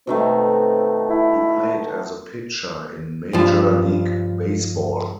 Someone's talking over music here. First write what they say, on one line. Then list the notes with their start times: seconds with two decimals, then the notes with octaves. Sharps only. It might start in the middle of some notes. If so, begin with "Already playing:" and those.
He played as a pitcher in Major League Baseball.
0.07 B2 D#3 A3 C4
1.10 E4
3.33 G2 F3